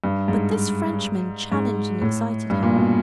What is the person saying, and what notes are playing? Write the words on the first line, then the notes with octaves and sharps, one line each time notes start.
But this Frenchman challenged and excited him.
G2
G#2
G#2
A2
G2
A#2
B2